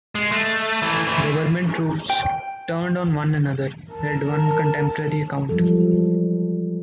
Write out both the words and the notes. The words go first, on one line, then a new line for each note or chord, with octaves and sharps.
"Government troops turned on one another," read one contemporary account.
G#3
A3
E3 A3
E3 A3
G5
A#4 A5
E3 F3 G3 G#3 A4